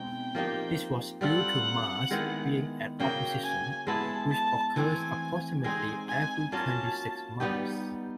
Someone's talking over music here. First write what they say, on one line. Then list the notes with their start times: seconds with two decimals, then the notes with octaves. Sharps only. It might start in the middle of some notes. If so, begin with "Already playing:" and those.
This was due to Mars being at opposition, which occurs approximately every twenty-six months.
Already playing: B2 G#3 C4 D#4 G5
0.35 F3 A#3 D#4 G4
1.21 G3 C4 F4 A4 F#5
2.11 D#3 G#3 B3 E4
2.99 C#3 F#3 A#3 G5
3.43 G#5
3.87 G#3 B3 E4 A5
4.31 A5
4.75 E3 A3 C4 G#5
5.64 G#3 C4 D#4 G#5
6.08 G#5
6.52 F#3 A#3 C#4 F4 A5
7.40 G3 B3 D#4 G4